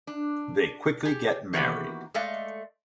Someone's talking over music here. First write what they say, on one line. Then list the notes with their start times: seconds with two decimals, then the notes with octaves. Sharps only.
They quickly get married.
0.07 D4
1.05 G4 G#4
1.53 D#3 E3 A#3 B3 F#4 G4
2.14 G#3 A3 A4 D5 D#5 F5